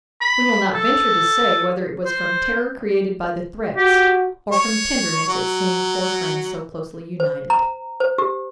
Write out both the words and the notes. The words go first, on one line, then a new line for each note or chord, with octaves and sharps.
We will not venture to say whether it was from terror created by the threats or from tenderness at seeing four friends so closely united.
B5
A4
C5
F#4 G4
C#5
F#3
C5
A#5
C5
G4